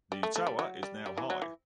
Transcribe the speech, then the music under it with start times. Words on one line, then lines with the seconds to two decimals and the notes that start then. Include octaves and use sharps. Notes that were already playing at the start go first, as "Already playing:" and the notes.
The tower is now high.
0.12 G3
0.23 A3
0.36 A3
0.47 G3
0.59 F#3
0.83 G3
1.06 G3
1.17 E3
1.30 F#3
1.42 E3